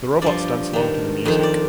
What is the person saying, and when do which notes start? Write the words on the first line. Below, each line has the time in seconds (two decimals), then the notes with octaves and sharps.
The robots dance along to the music.
0.22 G2 F3 D5
0.73 G2 D#3
1.25 F2 D#3 D#5
1.43 D5